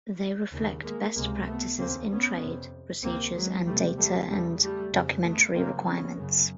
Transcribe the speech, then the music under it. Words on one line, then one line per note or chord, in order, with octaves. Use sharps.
They reflect best practices in trade procedures and data and documentary requirements.
D#2 C#3
G#3 A#3
C#2 C3 G#3 A#3
A3 B3
D#2 C#3 A#3 C4
B3 C#4
F2 C3
D2 C3 A#3 C4
F#3 G#3
E2 C3 G3 A3
G3 A3
E2 C#3 G3 A3
G3 A3
F2 C#3
A3 B3
F#2 C#3 A#3 C4
B3 C#4
F#2 C#3